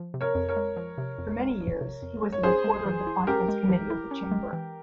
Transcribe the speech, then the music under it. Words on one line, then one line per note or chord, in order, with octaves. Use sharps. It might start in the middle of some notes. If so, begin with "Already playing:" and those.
For many years he was the reporter of the finance committee of the chamber.
Already playing: F3
C3
A#4 C#5
F2
A#4 C#5
G#3
F3
C3
F2
G#3
F3
C3
F2
G#3
C#5
C#4 G#4 C5
G#3
E3
E4
C#4 G4 A#4
G#3
E3
E4
C#4
G#3
E3